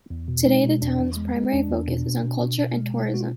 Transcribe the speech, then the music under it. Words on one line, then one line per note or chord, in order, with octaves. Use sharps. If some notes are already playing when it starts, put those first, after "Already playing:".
Today, the town's primary focus is on culture and tourism.
E2
B2
G#3 D#4
B2
E2 D4
E2
G#3
G#3
E2 D4
E2
B2
B2
B2
B2
B2
G#3
B2
G#3 F#4
F4